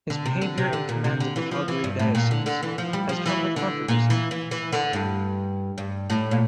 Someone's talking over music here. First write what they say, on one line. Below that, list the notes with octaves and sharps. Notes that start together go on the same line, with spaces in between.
His behavior and command of the Calgary diocese has come with controversy.
D3
C3
D3
C3
D3
A#2
C3
D3
E3
F3
E3
G2
A2
A#2
D3
D3
E3
F3
G3
F3
E3
D3
A#2
E3
E3
E3
D3
G2
G2
A2
A#2